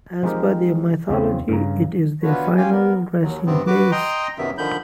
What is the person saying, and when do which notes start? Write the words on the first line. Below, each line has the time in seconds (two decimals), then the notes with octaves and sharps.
As per their mythology it is their final resting place.
0.23 F3 G#3 C4 D#4 G4 A#4
1.09 E2 C#3 C4
1.49 G2 C#3 A#5
2.23 B3 D4 F4 F#4 B4 C#5
2.57 C#4 F4 G4 F5 G5 G#5
2.70 B3 A#4
3.22 D#2 F#3
3.46 G2 C3 B3 C4
3.67 F#4 B4 D6
3.92 D#5 G5 A#5 C6
4.38 F#2 C3 D#3 F#3 B3 E5
4.58 D3 D#3 F3 B5 G6